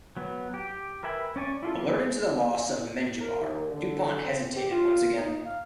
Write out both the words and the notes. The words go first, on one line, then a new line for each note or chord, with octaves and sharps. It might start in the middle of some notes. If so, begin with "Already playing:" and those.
Alerted to the loss of Mengibar, Dupont hesitated once again.
F#3 B3
G4
A#4 B4 E5 G#5 B5
C#4 D5 G#5 C#6
E4 F4 A4
F3 A#3 B3
A#4
D#2
D3
C4
G4
F4
D#4
F5